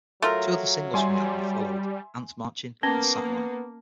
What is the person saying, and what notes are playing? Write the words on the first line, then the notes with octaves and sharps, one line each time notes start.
Two other singles from the album followed, "Ants Marching" and "Satellite".
F#3 A3 F4 A#4
G3 E5 G#5 C6
A#3 B3 C#4 A5 A#6 G7